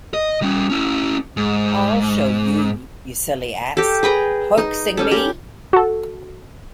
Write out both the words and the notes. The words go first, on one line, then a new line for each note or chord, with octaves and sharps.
I'll show you, you silly ass — hoaxing me!
D#5
G3 C#4
C#4 E4
G#2
G4 A4
G#4 B4 G5 A#5
D#4
G3 C#4 A4
G4
F#4 A4